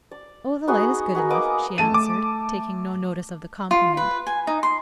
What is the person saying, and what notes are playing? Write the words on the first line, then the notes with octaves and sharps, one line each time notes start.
"Oh, the light is good enough," she answered, taking no notice of the compliment.
D5
B3 D#4 F#4 G#4
F#4 G#4 A#4
A#3 B3 D#5 D6
A3 A5 D#7
D6
F4
B4
G#5
D#4
C6